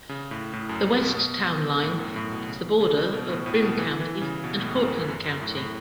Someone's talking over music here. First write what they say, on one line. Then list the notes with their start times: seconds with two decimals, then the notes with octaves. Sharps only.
The west town line is the border of Broome County and Cortland County.
0.09 C#3
0.31 A2
0.53 A2
0.69 F#2
1.02 B2
1.82 A2
1.99 F#2
2.16 A2
2.32 B2
2.48 C#3
2.80 C#3
2.97 C#3
3.13 B2
3.29 A2
3.46 A2
3.62 B2
3.78 E3
4.00 E3
4.22 C#3
4.44 B2
4.60 A2
4.76 F#2
4.93 F#2
5.08 F#2
5.24 F#2
5.41 A2
5.57 A2